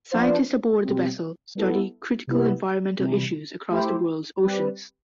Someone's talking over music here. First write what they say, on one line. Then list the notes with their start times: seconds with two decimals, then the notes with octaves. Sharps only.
Scientists aboard the vessel study critical environmental issues across the world's oceans.
0.12 F3 B3 D4 F4 C5
0.83 B2 G3 C4
1.55 G3 B3 E4 A4
2.27 C3 G3 B3 E4
2.99 C3 E3 G3
3.71 A3 E4 G4 C5
4.43 G3 C4 G4 B4